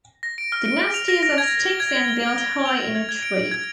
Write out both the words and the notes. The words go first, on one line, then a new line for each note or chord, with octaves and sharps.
The nest is of sticks and built high in a tree.
A#6
D7
F6
D7
D7
F7
A#6
A#6
G#6
G#6
G7
G#6
G#6
G7
D7
G7
G#6
F7
D7
G#6
G#6
D7
D7
G#6